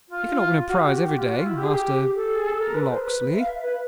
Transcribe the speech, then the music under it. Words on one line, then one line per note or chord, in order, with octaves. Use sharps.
"You cannot win a prize every day. Master--Locksley."
F4
F#4
G4
F#4
G4
F4
F#4
F4
E4
G4
G#4
G4
A4
G#4
A4
A#4
B4
C5
B4
E5
F5
E5
B4